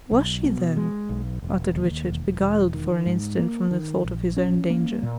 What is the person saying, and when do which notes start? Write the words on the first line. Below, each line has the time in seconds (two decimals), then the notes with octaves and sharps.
"Was she, though?" uttered Richard, beguiled for an instant from the thought of his own danger.
0.11 B1
0.44 B2
0.77 G#3
1.09 B1
1.42 E1
1.75 D#2
2.08 E1
2.41 E1
2.74 D#3
3.06 G#2
3.39 A#3
3.71 D#3
4.05 A#1
4.37 C#4
4.70 A#3
5.03 A#2